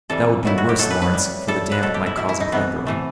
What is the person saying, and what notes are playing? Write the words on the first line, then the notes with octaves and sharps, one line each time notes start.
"That would be worse, Lawrence, for the damp might cause a plethora."
C3 E3 G3 A4
D#3 F#3 A3 E4
F#4
G4
D#3 F#3 A3 A4
B4
B4
A2 G3
A2 G3 A4
B4
B2 A3 A4
G4
E4
B2 A3 E4
E4
D#4
C3 E3 A3 B3
C3 E3 A3